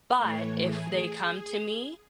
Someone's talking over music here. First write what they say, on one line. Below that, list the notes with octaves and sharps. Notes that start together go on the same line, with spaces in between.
But if they come to me
A2 E3 A3 C#5
G#4